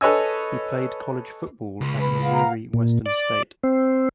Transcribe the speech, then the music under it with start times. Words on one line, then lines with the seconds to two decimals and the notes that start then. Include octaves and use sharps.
He played college football at Missouri Western State.
0.01 A4 B4 C#5 D#5 G#5 E6
1.81 C#2
1.98 B4 B5
2.22 F5 F#5
2.34 A#5
2.74 A#2
3.06 D5
3.64 C4